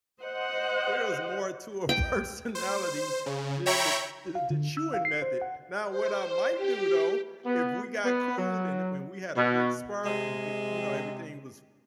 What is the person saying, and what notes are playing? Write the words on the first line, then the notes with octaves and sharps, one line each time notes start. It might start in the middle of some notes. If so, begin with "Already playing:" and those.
there is more to a personality than the the the chewing method, now what I might do though, if we got cool and it when we had a great spark and g you know, everything was f
C5 D#5 F#5
G5
C5
C#3
C#5 E5 G5 A#5 B5 C#6
F5
D3
E6
F5
C7
C5
F#5
C5
G4
B3
B3
F#3
B2
C3 G#3